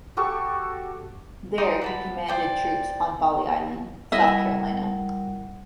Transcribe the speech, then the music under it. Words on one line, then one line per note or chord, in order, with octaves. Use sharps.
There he commanded troops on Folly Island, South Carolina.
F#4 G4 A4 C#6
D#4 D5 G5 C6
F#5 A5 B5
C5 D5 G5
G3 E4 A#4 D#5 E5 F#5